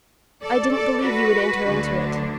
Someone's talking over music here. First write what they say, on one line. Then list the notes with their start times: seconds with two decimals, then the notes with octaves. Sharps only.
I didn't believe you would enter into it.
0.42 A4 D5
0.72 A4 D5
1.02 F#4 B4
1.64 D2 D3 F#3 D4